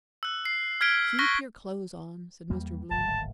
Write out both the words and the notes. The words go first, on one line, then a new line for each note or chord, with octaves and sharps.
"Keep your clothes on," said Mr. Bloom.
E6 F#6
C7
F6 G#6 B6 D7 G7
C#6 F#6 A#6 B6 G7
E2 G3 A#3
D1 G#1 A5